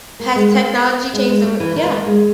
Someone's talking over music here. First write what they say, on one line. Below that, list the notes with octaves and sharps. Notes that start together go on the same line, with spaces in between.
Has technology changed the way Yeah.
A#3
G#3
A#3
G#3
G#3
G3
E3
D#3
B3
A#3
G#3